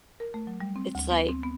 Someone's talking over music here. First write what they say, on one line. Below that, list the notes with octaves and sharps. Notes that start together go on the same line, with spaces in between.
it's like
A#4
A3
F#3
G3
C4
D2
B3
C4
B3